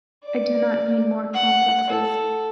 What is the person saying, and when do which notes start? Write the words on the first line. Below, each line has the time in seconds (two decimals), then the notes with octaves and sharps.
I do not need more complexes.
0.23 D5
1.34 F#5
1.90 A4